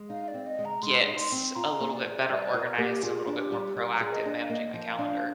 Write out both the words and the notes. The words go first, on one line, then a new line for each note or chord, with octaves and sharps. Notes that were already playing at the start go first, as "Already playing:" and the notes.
get a little bit better organized and a little bit more proactive managing my calendar.
Already playing: G#3
D#4 F5
D5
C4
D#5
G#3
A#5
G#3 C6
D#4
C6
C4
F4 A#5
A#3
D5
G#4
G3 D5
F4 A#4
A#3 G4
F4 G#4
D4
G4
G3
G3 A#4
G#4
D#5
D4
F5
A#3 D#5
F3
F5
D4